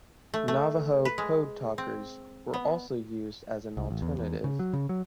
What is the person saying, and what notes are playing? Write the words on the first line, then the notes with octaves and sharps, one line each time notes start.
Navajo code talkers were also used as an alternative.
A3
A3
B4
G#3
C4
B3
C2
A1
E2
E2
C#3
F#3
C#3
F#3